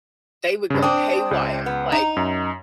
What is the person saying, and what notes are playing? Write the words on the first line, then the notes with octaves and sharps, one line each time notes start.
they would go haywire, like,
G2 C#3
C4 D4 D#6
C#2
B3
D#4
F#2